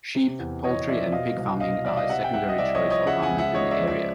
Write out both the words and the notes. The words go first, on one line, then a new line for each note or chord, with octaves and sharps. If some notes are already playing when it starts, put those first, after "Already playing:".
Sheep, poultry and pig farming are a secondary choice for farmers in the area.
C3
E2
E2 C#5 D#5
F3 D5 E5
B2 D#5 F5
C2
B2 D#5 F5
C2 D5 E5
D#5 F5
C3 E5 F#5
G5
C2 E5 F#5
D#5
C2 D5 E5
C#5 D#5
F3
C#5 D#5
C#3 E5 F#5
F#5 G#5
C#2
E5 F#5
C#2 C#5 D#5
D5 E5
F3
D5 E5